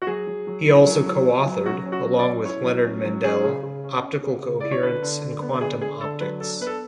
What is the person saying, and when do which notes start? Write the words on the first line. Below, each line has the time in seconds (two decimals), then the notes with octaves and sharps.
He also co-authored, along with Leonard Mandel, "Optical Coherence and Quantum Optics".
0.02 F#4
0.07 F#3 G#4
0.27 F#3
0.47 F#3
0.67 E4
0.86 F#3
1.06 F#3
1.26 F#3
1.46 F#3
1.66 C#4 F#4
1.85 C#4
1.92 F#4
2.05 F#3
2.19 D5
2.24 C#4
2.45 E4 C#5
2.64 F#3
2.84 C#4
3.05 F#3
3.23 C#4 G#4
3.44 C#3
3.63 C#3
3.84 C#4
4.03 C#4
4.23 C#3
4.43 C#3
4.60 E4 D5
4.71 C#5
4.82 D3 B4
5.02 D3
5.22 D3
5.42 B3
5.61 D3 G#4
5.81 D3 G#4
6.01 D3 A4
6.20 F#3 B4
6.40 D4 A4
6.60 B3 B4
6.67 A4